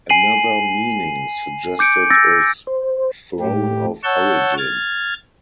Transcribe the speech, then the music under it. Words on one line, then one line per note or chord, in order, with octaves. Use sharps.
Another meaning suggested is "Throne of Origin".
G#5 C7 D#7 F#7
D6 G6 C#7 D7
E6 G6 A6 A#6
C5
A2 G4
C#5 F#5 A5 C#6 E6 G6
F6 G#6 A6